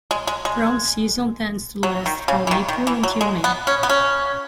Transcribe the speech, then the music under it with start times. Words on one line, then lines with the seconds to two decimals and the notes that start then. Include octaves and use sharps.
Prom season tends to last from April until May.
0.11 G#3
0.27 G#3
0.45 G#3
1.83 F#3
2.06 D#3
2.28 C#3
2.47 E3
2.51 D#3
2.68 D#3
2.87 E3
3.03 F#3
3.21 G#3
3.44 B3
3.67 C#4
3.83 B3
3.89 C#4